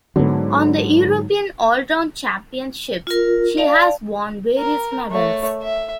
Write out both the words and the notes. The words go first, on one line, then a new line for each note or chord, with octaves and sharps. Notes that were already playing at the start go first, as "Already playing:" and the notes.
On the European Allround Championships she has won various medals.
G#2 D3 F#3 B3
F4 A#4
D5 F5 A5
A#4
A3 C#5
E5